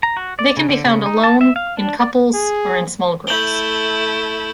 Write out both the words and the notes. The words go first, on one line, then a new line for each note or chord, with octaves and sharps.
They can be found alone, in couples or in small groups.
A#5
F#4
D5
C#3
D3
C#3
D#4
A5
E5
F5
D4
D5
G#4
A3 E4 G6 F#7 G7